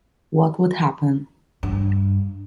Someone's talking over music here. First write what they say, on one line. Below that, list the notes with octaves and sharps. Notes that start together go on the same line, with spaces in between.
What would happen?
G2